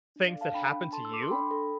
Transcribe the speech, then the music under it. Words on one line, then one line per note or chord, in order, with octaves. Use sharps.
things that happen to you
D4
D5 F5
A4
F5 A5
D4 G5 B5
D4
A4 A5 C6
E6
A4 D6
C6
D4 G5 B5
A4